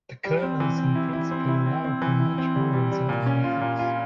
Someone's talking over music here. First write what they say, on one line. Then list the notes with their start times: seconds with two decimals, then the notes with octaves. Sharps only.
The kernels in principle allow for much more exotic methods.
0.25 G3
0.43 C4
0.60 E3
0.78 C4
0.95 E4
1.13 E4
1.31 C4
1.49 E4
1.66 C4
1.84 C4
2.02 E3
2.19 E4
2.38 C4
2.55 G3
2.73 G3
2.92 G3
3.09 A#2
3.26 C#4
3.44 F4
3.61 A#2
3.79 F4